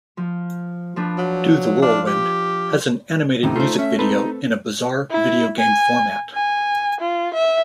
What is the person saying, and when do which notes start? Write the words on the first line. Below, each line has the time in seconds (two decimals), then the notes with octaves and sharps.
"Do the Whirlwind" has an animated music video in a bizarre video game format.
0.17 F3
0.96 F3 D4 B4
1.18 F#3
1.82 D4 F4
2.07 G4
3.43 D#2 A2 C3 D#4
3.56 A3 F4 C5
3.79 C#4 E5
3.99 C4 D#4 A4 B4
5.11 E4
5.59 G#5
6.34 G#5
7.00 F4
7.34 E5